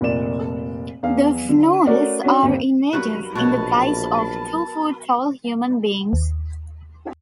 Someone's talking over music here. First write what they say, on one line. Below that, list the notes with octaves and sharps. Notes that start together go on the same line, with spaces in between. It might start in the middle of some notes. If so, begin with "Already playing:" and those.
The Fnools are invaders in the guise of two-foot-tall human beings.
F1 A#2 A#3 D5 E7
E2 F5
D3
A3 C#4 F#4 A#4 D5
C#4 D4 F#4
G1 D#2 C4
G2 F#3 A#4 B4 B5
A#1 B2 F#4 C#5 A5
D#2